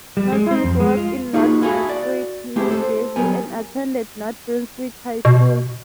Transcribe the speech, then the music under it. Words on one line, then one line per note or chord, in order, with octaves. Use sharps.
Norton grew up in North Brunswick, New Jersey, and attended North Brunswick High School.
G3
G#3
C4
F2
G#3
F4
A#3 D#4 F4 F#4 G#4 B4
E4 F#4 G#4 A4 F5
F#4 D5
G#3 A3 C4 E4 G4 G#4
A4 C5
F#3 G3 B3 A#4 G#5
B2